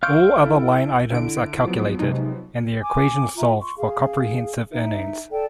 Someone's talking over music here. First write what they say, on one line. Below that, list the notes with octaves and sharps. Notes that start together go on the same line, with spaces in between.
All other line items are calculated, and the equation solved for comprehensive earnings.
F5 C6 C#6 E6 F6 G6 D7
E4 A4
D3 E4 D7
F3 F#3 B3
C3 G#3 D#4
G#5 D6
F4 E5 A#5
C6 C#6
G#4 F5
D#4 E5
A4 D5 G5